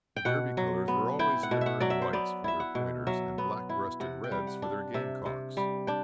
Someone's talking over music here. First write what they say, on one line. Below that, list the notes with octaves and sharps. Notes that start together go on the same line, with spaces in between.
The Derby colours were always liver and whites for their Pointers and black breasted reds for their game-cocks.
G5
B2 F#5
F#3
B3
E4 G5
F#5
B2
E5 F#5
F#3 D5
E5
C5
B3 D5
E4 E5
F#5
B2
F#3 E5
B3
E4
C3 F#5
G5
G3
F#5
D4
C3 E5
C3
G3
D4 G5